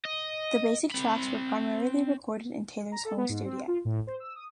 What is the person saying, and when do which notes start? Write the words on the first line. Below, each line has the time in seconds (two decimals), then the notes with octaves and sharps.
The basic tracks were primarily recorded in Taylor's home studio.
0.05 D#5
0.91 C4 B5
2.92 A#5
3.05 A4
3.17 B3
3.29 G#2
3.44 C4
3.68 F4
3.85 A2
4.07 C5
4.20 E6
4.35 D#6